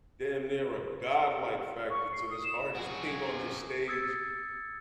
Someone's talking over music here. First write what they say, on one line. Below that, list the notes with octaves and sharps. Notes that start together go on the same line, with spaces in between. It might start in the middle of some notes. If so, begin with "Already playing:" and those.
damn near a godlike factor to this artist being on this stage
C#6
C7
D#6
E7
F#4 G#4
D#6 E6 G#6 A6 C#7